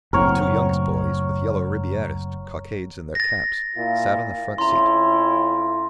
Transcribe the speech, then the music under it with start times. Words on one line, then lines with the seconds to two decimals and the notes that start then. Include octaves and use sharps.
The two youngest boys, with yellow Ribierist cockades in their caps, sat on the front seat.
0.13 F#1 A2 C4 A#4 C#5 F#5
3.15 A6 A#6
3.77 A#2 E4 F4
4.58 F2 C#4 E4 A#5 C6